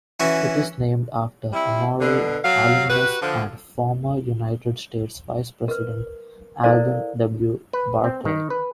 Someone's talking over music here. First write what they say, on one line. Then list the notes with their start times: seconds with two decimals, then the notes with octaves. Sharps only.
It is named after Emory alumnus and former United States Vice-President Alben W. Barkley.
0.20 E3 C#4 E4 F#4
1.53 G3 C4 E4
2.00 B2 D3
2.44 F#3 F5
2.90 F#4 G4 B4
3.21 D3 F3
5.68 A#4 B4
6.63 E4 A4 A#4 C5 D5 F5
7.73 B4
8.04 C4
8.25 D#3
8.50 B4